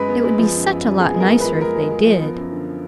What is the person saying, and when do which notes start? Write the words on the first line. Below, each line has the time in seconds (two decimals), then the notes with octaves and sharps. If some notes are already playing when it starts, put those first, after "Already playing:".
It would be such a lot nicer if they did!
Already playing: F#2 G#3 B4
0.09 B3
0.24 G#3
0.39 F3
0.54 F#2
0.69 F#2
0.84 F#2
1.00 B3 G#4
1.14 G#3
1.20 A#4
1.30 G#3
1.40 F3 B4
1.60 G#3 A#4
1.76 G#3
1.91 G#3
2.06 F3
2.22 B3
2.37 F#2
2.52 D3